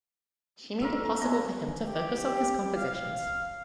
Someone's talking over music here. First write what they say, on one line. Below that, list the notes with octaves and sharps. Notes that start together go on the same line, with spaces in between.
She made it possible for him to focus on his compositions.
A3 B3 F4 A#4 D5 E5
D#2 G3 G#3 B3
G4
F5